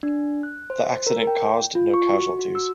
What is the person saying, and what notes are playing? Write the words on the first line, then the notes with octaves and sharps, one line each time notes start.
The accident caused no casualties.
D4
F#6
C5
A#4
G5
F4
C#6
F#4
F#4
E6